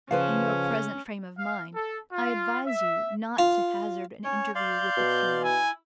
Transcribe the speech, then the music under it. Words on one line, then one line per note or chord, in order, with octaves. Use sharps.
In your present frame of mind I advise you not to hazard an interview with the fiend.
C#3 F3 C#4 B4 C5 F5
F5
A4
F4
E5
F4
C#4 C#5
D5 F5 C6 G6
B2
E4 G#5